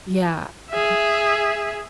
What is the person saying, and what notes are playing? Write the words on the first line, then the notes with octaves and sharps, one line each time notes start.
Yeah. Okay.
G#4 E5